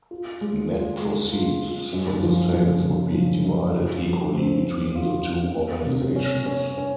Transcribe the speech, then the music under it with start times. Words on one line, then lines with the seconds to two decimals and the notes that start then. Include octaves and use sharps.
Net proceeds from the sales would be divided equally between the two organizations.
0.11 F4
0.41 G#3
0.71 F4
1.01 G#3
1.32 F4
1.62 F4
1.93 F#2
2.23 F3
2.54 F3
2.84 C#3
3.14 F3
3.44 F#2
3.74 F4
4.05 F3
4.34 C4
4.65 C4
4.96 F4
5.26 F4
5.56 A#3
5.85 C3
6.16 C#4
6.46 C#4
6.77 C#4